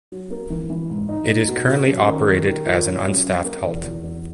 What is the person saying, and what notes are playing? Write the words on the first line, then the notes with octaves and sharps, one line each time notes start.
It is currently operated as an unstaffed halt.
F#3
A#3
E3
E3
G#2
D#4
D#4
B2
B2
F#2
D#3
D#3
D#3
A#2
C#4
F#2
F#2
A#3
E2
E2
E2